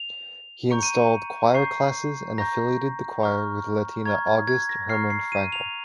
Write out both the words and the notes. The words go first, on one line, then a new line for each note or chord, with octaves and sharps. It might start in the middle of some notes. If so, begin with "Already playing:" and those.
He installed choir classes and affiliated the choir with Latina August Hermann Francke.
Already playing: F7
A#5 C#6 G6 C#7
D#7
C#7
A#5 C#6 G6 C7
A#5 C#6 G6 A#6
A#5 C#6 F6
A#5 C#6 F6 G#6
G#6
G#6
A#6
A#5 C#6 F6 C7
C7
D#7
F7